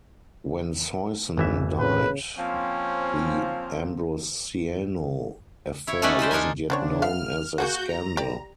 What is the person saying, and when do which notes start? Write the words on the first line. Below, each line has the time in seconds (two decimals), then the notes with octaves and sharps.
When Soisson died, the Ambrosiano affair wasn't yet known as a scandal.
1.37 G#1 F2 E3 E5
1.79 A2 C#3 B4
2.38 F3 A#3 C4 C#4
5.87 E4 C#5
6.02 A3 C#4 D#4 F#4 B4 D5
6.19 G4 B4 C5 G5
6.31 D4 D#4 A#4 D#5 G#5
6.70 C#3 B3 C4 D4 C#5
7.02 B3 E5 F5 F6
7.58 A#3 F#4 G#4 F#5 G6
7.89 A#5
8.17 G4 D5